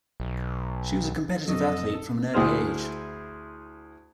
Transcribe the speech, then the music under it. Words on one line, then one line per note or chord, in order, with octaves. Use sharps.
She was a competitive athlete from an early age.
B1
F2 F#3 A4 D#5
D2 E4 G#4 C5 F6